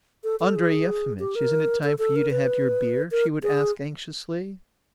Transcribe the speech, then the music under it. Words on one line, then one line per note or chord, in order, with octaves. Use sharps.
"Andrey Yefimitch, isn't it time for you to have your beer?" she would ask anxiously.
A4
A4
G#4
G4
A#4
A4
A4
A#4
B4
A#4
G#4